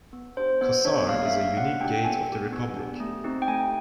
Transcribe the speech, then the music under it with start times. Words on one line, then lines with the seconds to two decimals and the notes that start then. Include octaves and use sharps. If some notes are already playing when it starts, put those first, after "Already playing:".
Qusar is a unique gate of the republic.
0.13 B3
0.37 D4 G4 C5
0.61 B3 C5
0.85 D4 G4 C#5
1.09 A#3 F5
1.25 E5
1.33 D4 G4 F5
1.57 A#3 F#5
1.81 D4 G4 G5
1.94 G5
2.05 B3 G#5
2.28 D4 G4
2.53 B3
2.77 D4 G4
3.00 A3
3.24 C4 D#4 G4
3.42 G5
3.48 A3 G#5